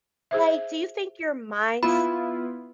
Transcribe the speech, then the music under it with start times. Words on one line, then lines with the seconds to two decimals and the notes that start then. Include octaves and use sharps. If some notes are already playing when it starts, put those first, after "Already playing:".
Like, do you think your minds
0.31 G#4 C5 E5
1.83 B3 E4 F4 B5